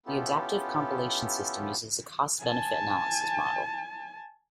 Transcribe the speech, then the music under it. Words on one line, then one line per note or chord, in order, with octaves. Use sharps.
The adaptive compilation system uses a cost-benefit analysis model.
B3 C#4 E4 F4 G4 A4
G#5 A5